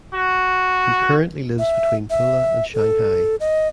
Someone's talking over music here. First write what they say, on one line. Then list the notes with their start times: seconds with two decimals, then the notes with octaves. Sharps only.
He currently lives between Pula and Shanghai.
0.14 F#4
1.59 E5
2.10 E5
2.75 A4
3.40 D#5